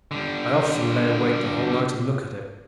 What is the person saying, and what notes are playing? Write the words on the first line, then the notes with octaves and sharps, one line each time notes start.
I often lay awake the whole night and look at it.
D3 G3